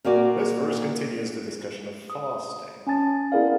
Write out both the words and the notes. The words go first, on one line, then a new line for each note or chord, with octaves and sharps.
This verse continues the discussion of fasting.
A#2 A#3 F#4 D5
D#6
C#4 G#5 A5 A6
B3 E4 G#4 A#4 D5 F5